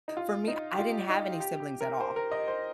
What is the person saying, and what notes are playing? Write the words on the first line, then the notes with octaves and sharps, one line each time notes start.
for me, I didn't have any siblings at all.
D#4
F4
D#4
G4
F4
D#4
G4
G4
A#4
C5
A#4
D#5
C5